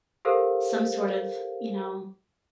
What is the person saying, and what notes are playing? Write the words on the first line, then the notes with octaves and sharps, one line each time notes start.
some sort of, you know
G4 A4 A#4 C5 F5